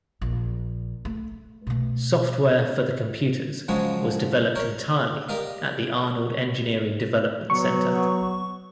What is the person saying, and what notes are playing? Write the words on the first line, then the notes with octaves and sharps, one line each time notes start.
Software for the computers was developed entirely at the Arnold Engineering Development center.
A#1
A3
B2 A3
C#3 F3 F#3 G#3 G#4
A#4 C#5
G4 A#4 D5 D#5 F5
F#3 B3 C#6